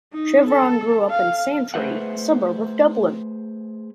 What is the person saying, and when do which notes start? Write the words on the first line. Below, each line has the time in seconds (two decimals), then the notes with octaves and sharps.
Chevron grew up in Santry, a suburb of Dublin.
0.13 D#4
0.48 A4
1.10 F5
1.74 A3 G#4 B4 C5 E5 F#5